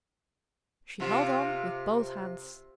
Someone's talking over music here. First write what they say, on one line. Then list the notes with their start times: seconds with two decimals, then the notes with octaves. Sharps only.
She held on with both hands.
1.00 C3 F4